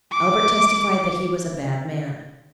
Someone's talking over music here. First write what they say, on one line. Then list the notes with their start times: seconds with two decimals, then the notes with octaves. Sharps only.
Albert testified that he was a bad man.
0.11 D6